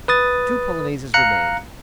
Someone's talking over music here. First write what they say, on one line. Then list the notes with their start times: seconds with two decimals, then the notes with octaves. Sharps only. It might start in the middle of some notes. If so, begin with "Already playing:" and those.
Two Polonaises remain.
0.08 B4 D#6 A6
1.14 F5 A#5 F#6 C#7